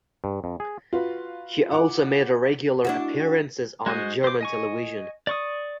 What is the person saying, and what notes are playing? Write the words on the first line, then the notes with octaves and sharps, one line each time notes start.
He also made regular appearances on German television.
G2
F2
G#4
F4 F#4 B4
F#5 D6
D4 E4 F#4
G#3 F#4 C5 D#5
C5 D6
D#5 G#5 C#6
D5 C#6 D#6